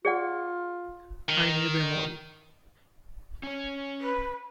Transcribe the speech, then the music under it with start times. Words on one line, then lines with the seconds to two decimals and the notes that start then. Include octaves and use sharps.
I knew them all.
0.05 F4 G#4 D5 F#5
1.29 D#3
3.43 C#4 C#5
4.00 B4